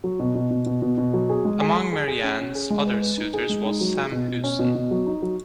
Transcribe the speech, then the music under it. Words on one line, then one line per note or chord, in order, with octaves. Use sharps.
Among Mary Anna's other suitors was Sam Houston.
F#3
B2
B2
B2
B2
B2
B2
F#3
G#4
G#3
G#4
G#4
G#4
G#4
C#4
C#4
G#4
G#3
B4
B4
D#4
G#4
G#3
D#4
F#3
G#4
B2
B2
C#4
B2
B2
F#3
D#4
F#3